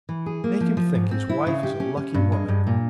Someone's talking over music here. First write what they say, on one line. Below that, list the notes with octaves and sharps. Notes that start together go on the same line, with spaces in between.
Make him think his wife is a lucky woman.
E3
G#4
A#3
F3
F3
G#2
C4
E4
C#3
G4
C#4
C#4
G2
G#3
G2
A#2